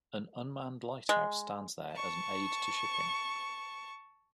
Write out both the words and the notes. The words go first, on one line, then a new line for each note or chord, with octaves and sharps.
An unmanned lighthouse stands there as an aid to shipping.
G#3
A5 C#6